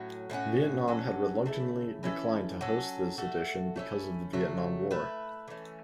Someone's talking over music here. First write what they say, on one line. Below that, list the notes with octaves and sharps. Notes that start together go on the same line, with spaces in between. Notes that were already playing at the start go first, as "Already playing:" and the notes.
Vietnam had reluctantly declined to host this edition because of the Vietnam War.
Already playing: A2 F#3 C#4 F#4
A2 A3 C#4 F#4
F#3 C#4 A4
C#3 A3 E4
E3 C#4 E4 A4
F#3 C#4 A4
A3 F#4 A4
A3 C#4 E4
C#3 F#3 A3
A3 E4 B4
E3 A3 C#4